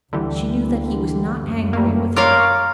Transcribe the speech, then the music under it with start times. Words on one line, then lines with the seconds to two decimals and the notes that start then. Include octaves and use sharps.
She knew that he was not angry with her.
0.13 D2 D3 E3 G3
1.40 F#2
1.73 G3 A3 A#3
2.16 F4 A#4 C#5 F5 D6